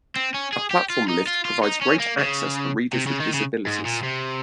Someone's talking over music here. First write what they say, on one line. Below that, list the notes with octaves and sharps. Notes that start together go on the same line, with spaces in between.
A platform lift provides greater access for readers with disabilities.
C4
C#4
G#4
G4
F4
D#4
F4
F4
D#4
C#4
A#3
C#3
C3
C#3
D#3
C#3
G#2
A#2
C3